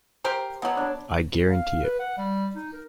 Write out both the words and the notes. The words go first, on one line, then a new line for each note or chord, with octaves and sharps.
I guarantee it.
G4 A#4 C5
B2 F#3 B3 C#5
D4 C#5
F5
B4
F#5
G3
D#4
A#4